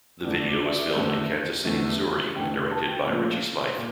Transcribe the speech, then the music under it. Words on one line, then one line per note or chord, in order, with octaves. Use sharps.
The video was filmed in Kansas City, Missouri, and directed by Richie Smyth.
E2 D3 A3 D5
D5
E5
D5
E2 D3 A3
E2 D3 A3
E2 D3 A3 G5
A5
G5
A#2 F3 A3 F5
A#2